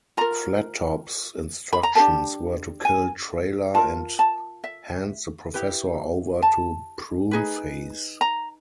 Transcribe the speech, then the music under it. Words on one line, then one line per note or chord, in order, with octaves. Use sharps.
Flattop's instructions were to kill Trailer and hand the Professor over to Pruneface.
F4 A#4 A#5
B5
A#5
D4 G4 A#4 A5
G#5
F4 A#4 A5
A5
E5
E4 G4 B4
A5
D#4 G#4 B4
A#5